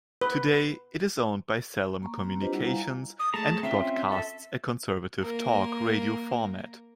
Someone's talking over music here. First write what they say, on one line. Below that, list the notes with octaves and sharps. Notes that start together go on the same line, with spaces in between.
Today, it is owned by Salem Communications and broadcasts a conservative talk radio format.
B4
A#3 A#5 C#6
C4 A#5
D4 F4 G4 B4 C5 D#5
G3 E4 F4 C5 D#5 F#5
F5 G#5 A#5
D#6
A3 G#4 A5 A#5
C4 C#4 F4 E5
A4 E5
A#3 A#4